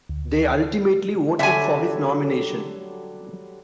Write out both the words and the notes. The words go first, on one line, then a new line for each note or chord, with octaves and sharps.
They ultimately voted for his nomination.
D2
D3 F#3 G3 E5 G#5